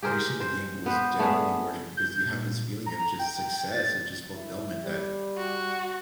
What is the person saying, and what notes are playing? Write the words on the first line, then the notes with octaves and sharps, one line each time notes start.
finishing the game was definitely worth it, because you have this feeling of just success, of just fulfillment that,
G4 G#4 A#4 C5
C5
B3 B4 C5
A3 B3 D4 G#4
G6
A#2
A#5
G5
A6
E4
G3
F#4